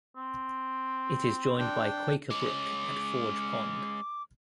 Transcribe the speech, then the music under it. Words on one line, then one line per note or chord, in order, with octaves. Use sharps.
It is joined by Quaker Brook at Forge Pond.
C4
D4 G5
G#3 C#4 D6